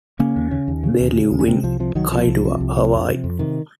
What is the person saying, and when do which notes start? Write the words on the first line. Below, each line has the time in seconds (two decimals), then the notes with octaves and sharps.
They live in Kailua, Hawaii.
0.19 C#3 A#3 C#4
0.36 D#2
0.51 C#3
0.68 D#2
0.83 C#3
1.00 D#2
1.15 C#3
1.32 D#2
1.40 C#4
1.47 C3 G#3 C4
1.63 C2 F3
1.80 C3 F3
1.95 C2 D#3 F#3
2.11 C3 F3
2.27 C2
2.44 C3
2.60 C2
2.77 C3
2.92 F2
3.08 C3
3.24 F2
3.39 C3 D#3